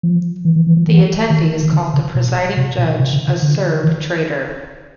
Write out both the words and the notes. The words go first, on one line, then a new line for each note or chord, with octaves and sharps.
The attendees called the presiding judge a "Serb traitor".
F3
E3
E3
E3
F3
E3
D#3
D#3
D3
C#3
B2
C3
B2
C3
C#3
C#3
D3
D#3